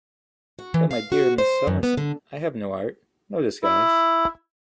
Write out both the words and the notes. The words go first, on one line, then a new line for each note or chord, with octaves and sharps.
But, my dear Miss Summerson, I have no art, no disguise.
F#4
E3
F5
F#4
C5
F#2
B3
D3
E4